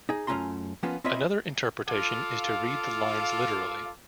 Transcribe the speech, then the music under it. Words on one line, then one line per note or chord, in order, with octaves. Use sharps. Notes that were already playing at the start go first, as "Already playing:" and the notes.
Another interpretation is to read the lines literally.
D#4 G#4
F#2 A3 C#4 F4 A#5 C6
F3 A#3 B3 C#4 F4
C4 F4 C#5 D#5 E5 B5
F4 A4 F5 D6